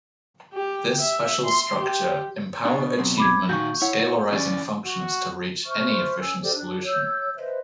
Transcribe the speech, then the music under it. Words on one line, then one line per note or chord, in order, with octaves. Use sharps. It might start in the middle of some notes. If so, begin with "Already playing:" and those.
This special structure empower achievement scalarizing functions to reach any efficient solution.
G4
E5
C6
G4
B2 D4 C#5
C3 F#3 C4
B5 D6 G#6
A#2 D#3 F#4 C#6 G6
E4 C#5 F#5
E3 C#4 D5
F#4
C5 E5 C#6 F6
C#4 G#5 E6
G4 A4 C5 D5
D4 F#6
C#5 E6 G6
B4 C5 D#5 E5